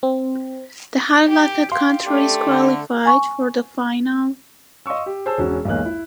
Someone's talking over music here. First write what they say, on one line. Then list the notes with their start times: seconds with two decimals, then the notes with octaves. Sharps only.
The highlighted countries qualified for the final.
0.03 C4
1.28 G4
1.72 G4 F5 C6
2.07 A3 D4 G4
2.49 D3
3.06 G#5 C#6
4.86 D#5 F5 C6 C#6 E6
5.06 G4
5.26 G#4 C5 C#5 A5 E6
5.38 E1 C#4 F#4
5.65 B1 E2 G#3 A#3 F#6
5.86 E4